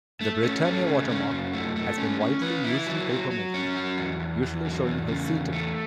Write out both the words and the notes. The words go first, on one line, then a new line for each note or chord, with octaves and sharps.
The Britannia watermark has been widely used in papermaking, usually showing her seated.
A3
C#4
A3
C#3
C#4
F#2
A3
A3
C#4
C#4
B4
E4
F#3
F#3
F#3
C#4
F#3
E2
E2
E2
F#3
E2
C#3
E2
A3